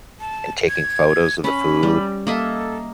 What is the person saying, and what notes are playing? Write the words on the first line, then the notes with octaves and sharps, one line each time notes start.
and taking photos of the food,
A5
G#6
C#4 B5
G3
A#3 A4 D#5 E5